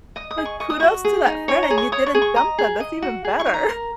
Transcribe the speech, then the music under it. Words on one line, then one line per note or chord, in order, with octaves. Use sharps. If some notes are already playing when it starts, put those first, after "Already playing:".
But kudos to that friend, and you didn't dump them. That's even better.
D#5 D#6
D#6
G#4
C#6
D#5 C#6
D#6
F#4 C#6
G#4
D#4
C#5 G#5
A#5
G#4
C#6
C#5 D#6
C#6
G#4
C#6
D#5 A#5
G#4
D#5
F#4
G#4
C#6
D#4
A#5
A#4